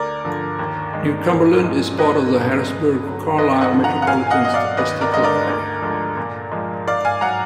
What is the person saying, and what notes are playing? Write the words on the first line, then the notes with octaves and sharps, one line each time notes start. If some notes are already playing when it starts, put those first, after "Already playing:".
New Cumberland is part of the Harrisburg-Carlisle Metropolitan Statistical Area.
Already playing: D2 A#4 D5
D3 F3
D#2
D#3 G#3
A#2
F3 G#3
D2 B4 D#5
D3 F#3
D2
D3 F#3
D#2 B4 D#5
D#5 F#5
D3 F3
F#5 A#5
F#5
A#2 F5 G#5
G#5
D#5 F#5
F#3 D#5
D5 F5
D#2 B4 D#5
A#4 D5
D3 G#3 D#5
A#4 D5
D2
D3 F3 G#3
A#2
F3 G#3
G#2 D5 F5
F5 G#5
F#3 F#5 A#5